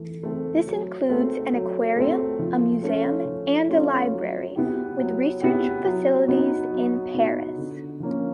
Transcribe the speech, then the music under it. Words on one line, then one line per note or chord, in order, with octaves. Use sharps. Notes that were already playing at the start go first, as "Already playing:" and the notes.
This includes an aquarium, a museum, and a library, with research facilities in Paris.
Already playing: E3 A3
A3 C4
F#3
A3 C4
F#3
A3 C4
F3
A3 C#4 F4 A4
F3
A3 C#4 F4 A4
F#3
B3 E4 G4
F#3
B3 E4 G4
F#3
B3 D#4 F#4
F#3
B3 D#4 F#4
D3
F3 A#3 C#4